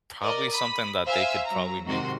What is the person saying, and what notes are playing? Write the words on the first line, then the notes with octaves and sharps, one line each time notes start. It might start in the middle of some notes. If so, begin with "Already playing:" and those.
probably something that they could probably make
A#4 D5 D#5
B5 D#6
C5 E5 F5 G#5 E6
F#3 A#5
G#2 C3 D#3 F#4 C6